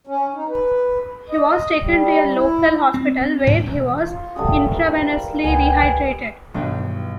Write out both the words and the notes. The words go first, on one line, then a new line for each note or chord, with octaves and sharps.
He was taken to a local hospital where he was intravenously rehydrated.
C#4
D#4
B4
D#5
G3
E4
C4
G#2
E1
F4 C#5
C#3 G3 A3 F#4 D#6
G#2 E3 A#4 C6
C#2
C#2 B2 B3 G5 G#5
B1 G2 D#3 E3 D4 G5